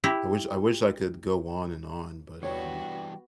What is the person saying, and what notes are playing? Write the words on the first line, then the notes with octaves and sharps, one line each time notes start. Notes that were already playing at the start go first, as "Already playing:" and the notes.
I wish I wish I could go on and on, but, um,
E4 G4
E3 G3 B3 D4 F#4 C#5 G5